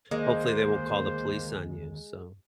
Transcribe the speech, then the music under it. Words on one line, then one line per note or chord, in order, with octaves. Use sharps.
hopefully they won't call the police on you, so
D2 D#3 G#3 A#3 C5